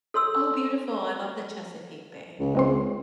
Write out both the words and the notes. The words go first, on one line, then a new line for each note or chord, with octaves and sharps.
Oh, beautiful. I love the Chesapeake Bay.
A4 C#5 C6 E6
C#2
G#3 C4 C6